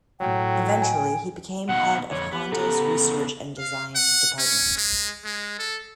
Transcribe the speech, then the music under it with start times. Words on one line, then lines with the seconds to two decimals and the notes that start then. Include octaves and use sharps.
Eventually, he became head of Honda's Research and Design department.
0.20 A2 F#3 G5
0.82 G#5
1.69 B2 D#3 A#3 F#5
2.11 F2 D3 C#5
2.33 B3 G4
2.52 C#3 B3 A4 F#5 A#5
3.16 D4
3.58 F5
3.95 F#5
4.38 C#4
4.78 G#3
5.25 G#3
5.59 A4